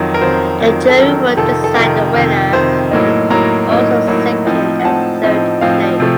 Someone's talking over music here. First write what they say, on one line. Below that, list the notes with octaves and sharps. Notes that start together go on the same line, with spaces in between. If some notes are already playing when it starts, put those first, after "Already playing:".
A jury will decide the winner and also second and third place.
Already playing: F2 D#3 F#3
A#4
F2 D#3 F#3 C5
F2 D#3 F#3
A4
F2 D#3 F#3 A#4
F2 C3 D#3 A4
A4
F2 C3 D#3 A#4
F2 C3 D#3
F2 C3 D#3 C5
A2 F#3 A#3 D#4
A2 F#3 A#3 D#4 A#5
A2 F#3 A#3 D#4
A2 F#3 A#3 D#4
A2 F3 C4 D#4
F#5
A2 F3 C4 D#4 A5
A2 F3 C4 D#4
A2 F3 C4 D#4 F5
C3 F3 A3